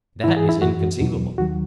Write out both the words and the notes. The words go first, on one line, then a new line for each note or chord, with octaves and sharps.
That is inconceivable.
G#2 E3 E4
G#4
E4
F#2 E3 F#4
E2 B2 F#3
D#2 D#3 F#3 F#4